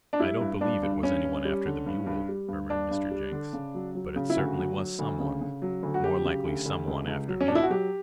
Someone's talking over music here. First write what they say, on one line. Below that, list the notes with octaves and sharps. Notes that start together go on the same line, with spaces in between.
"I don't believe it was any one after the mule," murmured Mr. Jenks, "but it certainly was some one--more likely some one after me."
D4
G3 E4
G2
G2 D4
G2
G2 C#4
G2
G3
D3
G2
G2
G3
G2
G2 D4
G2
G3
D3
C#3
F#3
F#3
C#3
E4
D2 F#4
F#3
F#3
D2
C#3
C#3
F#3
D2
F#4
F#3 G4
C#3
D2
D2
C#2
C#2
F#3
C#4
B2 D4
E4
F#4
F#3 G4